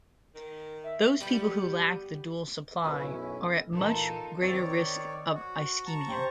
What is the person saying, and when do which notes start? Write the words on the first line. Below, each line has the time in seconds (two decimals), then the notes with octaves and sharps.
Those people who lack the dual supply are at much greater risk of ischemia.
0.35 D#3
0.84 E5
1.20 G3 B3 G4
2.84 B1 F#2 C#4 E4 B4
3.73 A#2 E3 D#4 F4 A4 A#4
4.41 D#3 C4 C#5 D5 A6
5.34 F#4
5.86 A5 A#5 C#6
6.08 G4 C5